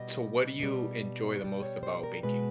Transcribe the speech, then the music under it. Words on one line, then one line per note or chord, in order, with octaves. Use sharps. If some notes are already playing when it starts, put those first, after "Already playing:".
So what do you enjoy the most about baking?
Already playing: B2 G3 D#5
B2 G3
B2 G3 D5
C#5
C5
A#4
B2 G#3 B4